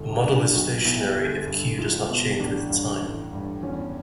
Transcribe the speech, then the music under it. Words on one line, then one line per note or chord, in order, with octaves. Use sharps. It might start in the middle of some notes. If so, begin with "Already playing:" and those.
A model is stationary if "Q" does not change with time.
Already playing: G1
G2 D4
B1 F#4
B2 E4
G1
G2
C#2
B2
A1 D4
G2
A1
G2
E2 C#4